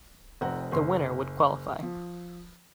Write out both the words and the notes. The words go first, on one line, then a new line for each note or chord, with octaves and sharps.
The winner would qualify.
F1 F2 C4 F#5 A#5
F#1 C6
F3